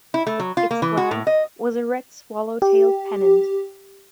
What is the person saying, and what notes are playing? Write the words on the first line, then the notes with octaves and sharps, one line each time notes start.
Its flag was a red swallow-tailed pennant.
E4
A3
F#3
F4
A#3
E3
F#4
A2
D#5
G4